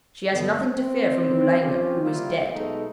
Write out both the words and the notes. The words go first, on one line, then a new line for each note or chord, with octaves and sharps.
She has nothing to fear from Oolanga, who is dead.
G2 D3 B3
C4
F3 C4 C#4 F4 G4
G3 A#3 E4 F4 G4
B1 G#3 A3 B3 D#4